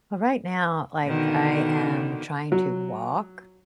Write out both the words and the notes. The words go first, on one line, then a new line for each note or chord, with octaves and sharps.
Well, right now, like, I am trying to walk
B2 D3 D#3
F#3